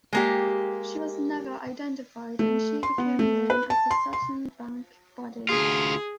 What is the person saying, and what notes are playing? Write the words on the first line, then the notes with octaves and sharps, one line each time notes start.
She was never identified and she became known as the Sutton Bank Body.
G#3 A#3 G4
A3
C6
B3
A3
B4
A5
C6
C6
D2 F4 G#4